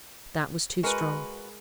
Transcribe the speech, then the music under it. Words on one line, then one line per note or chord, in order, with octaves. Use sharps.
That was too strong.
G#3 F#4 A#4 B4